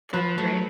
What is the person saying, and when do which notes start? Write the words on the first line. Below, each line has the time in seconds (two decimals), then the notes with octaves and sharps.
That's great.
0.13 F3 B4
0.38 F#3 A3